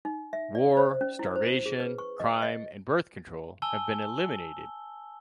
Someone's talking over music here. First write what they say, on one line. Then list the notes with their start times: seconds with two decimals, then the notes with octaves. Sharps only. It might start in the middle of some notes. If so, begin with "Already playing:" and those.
War, starvation, crime and birth control have been eliminated.
0.05 D#4
0.33 E5
0.55 D5
0.77 C5
1.01 C#4
1.19 E4
1.36 C5
1.66 G#4
1.80 B4
1.98 C#6
2.20 D#5
2.42 D#5
3.62 G#5 A5 E6 G7